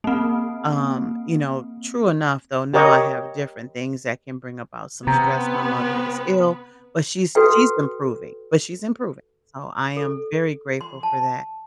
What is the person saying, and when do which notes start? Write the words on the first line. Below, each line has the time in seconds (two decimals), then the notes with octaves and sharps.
um, you know, true enough, though, now I have different things that can bring about some stress my mother is ill, but she's she's improving but she's improving, so I am very grateful for that,
0.04 A#3 C4
2.74 G4 A#4 C#5 D#5
5.07 C3 B3 B4 A#5
7.35 F#4 A4 B4 G5
9.97 A4
10.81 C6
11.03 A5